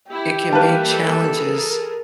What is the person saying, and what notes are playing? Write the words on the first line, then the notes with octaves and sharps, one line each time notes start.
it can make challenges
E4 G4
E3 G3 A#3 B4 F5 A5
A4
G#4 A#4